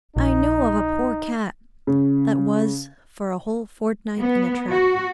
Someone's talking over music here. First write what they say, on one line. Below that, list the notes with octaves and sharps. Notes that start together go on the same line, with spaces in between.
I know of a poor cat that was for a whole fortnight in a trap.
A#1 D#4
C#3
B3
F#4